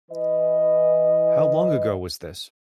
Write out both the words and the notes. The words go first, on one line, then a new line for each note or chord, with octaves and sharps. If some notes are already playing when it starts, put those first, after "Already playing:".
How long ago was this?
E3 B4 D#5